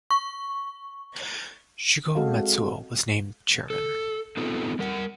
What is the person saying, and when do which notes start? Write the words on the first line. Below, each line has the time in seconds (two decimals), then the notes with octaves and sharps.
Shugo Matsuo was named chairman.
0.11 C#6
2.15 G#3 C4 F#4 A4 D#5 F5
3.70 A4
4.37 B3 C4 D#4 F4 A4
4.79 G3 A#4 F#5